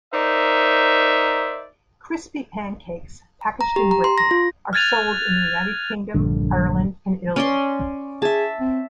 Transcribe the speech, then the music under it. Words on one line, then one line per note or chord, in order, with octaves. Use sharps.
Crispy pancakes, packaged in Britain, are sold in the United Kingdom, Ireland, and Italy.
D#4 A#4 C5 D5 E5
A#5
G4
A#5
C6
A#6
F4
F6 F#6 G#6 A6 D#7 F7
A#1 G2 D3
C#4 D5 C6
G#4 E5 A5
C4